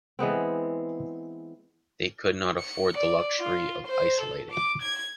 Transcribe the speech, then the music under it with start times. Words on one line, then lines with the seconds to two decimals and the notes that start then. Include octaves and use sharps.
They could not afford the luxury of isolating.
0.19 E3 G#3 B3 C4
2.60 C#7
2.97 D5
3.39 F4
3.87 C5
4.21 A4
4.52 D6
4.82 G#6